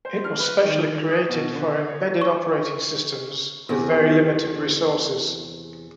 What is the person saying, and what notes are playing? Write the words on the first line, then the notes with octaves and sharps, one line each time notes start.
It was specifically created for embedded operating systems with very limited resources.
C5
F6
B4
D#3
D#6
B2
D3
C#5
C#6
E2 C3